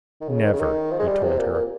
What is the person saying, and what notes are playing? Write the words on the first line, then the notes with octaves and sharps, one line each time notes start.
"Never," he told her.
D#3
C#3
D#3
C#3
D#3
F3
G#3
G3
C3
A#2
A#2